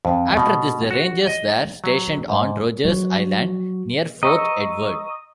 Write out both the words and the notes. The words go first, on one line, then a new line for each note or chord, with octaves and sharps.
After this, the Rangers were stationed on Rogers Island near Fort Edward.
F2
B2
F#4
D#5
F#3
G#2
F#3
D#5 A#5 C#6 E6